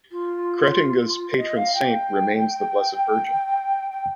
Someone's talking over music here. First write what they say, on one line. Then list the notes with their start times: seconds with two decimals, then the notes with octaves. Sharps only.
Kretinga's patron saint remains the Blessed Virgin.
0.12 F4
1.38 D#5
1.56 F5
1.74 G5
3.92 G5